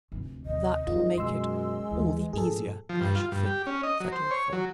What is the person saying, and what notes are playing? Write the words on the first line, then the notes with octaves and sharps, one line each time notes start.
"That will make it all the easier, I should think," said Lord Fawn.
F1 D2
D#2 C3 D#5
G#1 F2 F4
F#2 B2 G#3 C6 E6
D#2 D#3 E3
A#1 G#2 G#4 A4
F3
G2
F4
G2
G4
C#4
D#5
F#3
C5
C#5
F#3